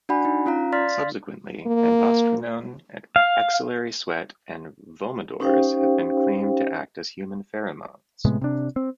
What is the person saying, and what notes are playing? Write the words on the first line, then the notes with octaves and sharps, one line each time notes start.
Subsequently, androstenone, axillary sweat, and "vomodors" have been claimed to act as human pheromones.
D4 F#4 D5 F#5 G#5 B5
D#4
C#4 F4 F5 A#5
D5 F5 C6 F6 A6 B6
A#3
F5
C#4 D#4 G4 C5 F5 G5
A2 C3 G#3 B3
C3 D4
C4